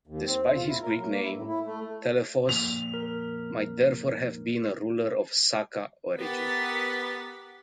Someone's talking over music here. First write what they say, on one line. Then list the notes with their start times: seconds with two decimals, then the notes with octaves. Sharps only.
Despite his Greek name, Telephos might therefore have been a ruler of Saka origin.
0.07 D#2
0.26 C4
0.44 E2
0.56 F4
0.67 E4
0.82 A#4
0.98 F#3
1.09 A#3
1.22 E4
1.35 A2
1.48 E4
1.66 A3
2.49 F2 A#2 F7
2.94 A#4
6.19 B3 G4 A#4 F#5 A6 B6